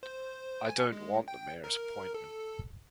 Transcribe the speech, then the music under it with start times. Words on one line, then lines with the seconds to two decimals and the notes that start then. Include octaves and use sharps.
I don't want the mayor's appointment.
0.03 C5
0.69 G#5
0.92 G#3
1.28 G5
1.64 A#4
2.14 A4